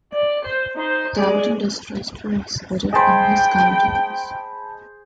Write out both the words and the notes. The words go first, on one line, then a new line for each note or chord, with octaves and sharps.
Doubt and distrust were exhibited in his countenance.
D5
C5
D#4 C5
G#3 D5
G#4 C5 D#5 G5 A5 B5